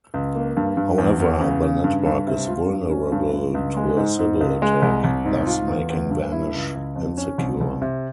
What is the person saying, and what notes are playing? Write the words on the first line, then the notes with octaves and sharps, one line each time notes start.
However, the network is vulnerable to a Sybil attack, thus making Vanish insecure.
C#2
A#3
G2
G2
E2
E2
C#3
C#3
G2
G2
C3
F4
G2
C#4
G2
G2
C#2
G#3
G#2
G#2
C#2
G#3
C2
C2
G#2
F4
E2
E2
G2
E4
C#2
C#2
F2
C#4
C2
C2
C3